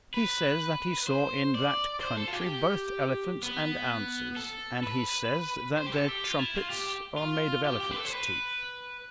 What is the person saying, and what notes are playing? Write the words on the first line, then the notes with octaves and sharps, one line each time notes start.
"He says that he saw in that country both elephants and ounces; and he says that their trumpets are made of elephants' teeth."
B4
C5
D5
C5
A4
F4
G4
B3
A4
B4
C5
G4
A4
G4
F4
E4
F4
G4
F4
G4
G4
B4
A4
C5
B4